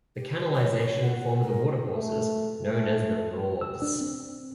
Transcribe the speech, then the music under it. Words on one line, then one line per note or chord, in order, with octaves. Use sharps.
The canalisation formed the watercourses known as the mauves.
G4
C#5
C#5
F#5
F#5
A#4
A3
A3
E6
D4
C4